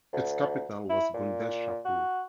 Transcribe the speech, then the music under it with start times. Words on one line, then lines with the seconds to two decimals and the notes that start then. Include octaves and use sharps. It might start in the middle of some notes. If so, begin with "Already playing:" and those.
Its capital was Gundeshapur.
0.13 D2
0.89 E4
1.14 A#2
1.85 F#4